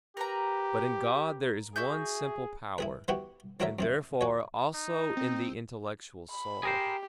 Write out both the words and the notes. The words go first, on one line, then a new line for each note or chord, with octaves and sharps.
But in God there is one simple power: and therefore also in the intellectual soul.
G4 A#4 B4 A#5
F#4 G#4 E5 G6
E4 G#4 B4
E3 B3 E4 F#4 G4 B4
E3 D4 F#4 A#4 C#5 E5
F#2 E3 E4
F#4 C#5
D#4
C4
B5
G4 G#4 A#4 C5